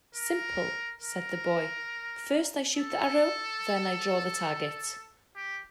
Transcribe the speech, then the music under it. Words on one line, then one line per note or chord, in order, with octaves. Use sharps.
"Simple", said the boy, "first I shoot the arrow, then I draw the target".
A#4
A#4
A4
G4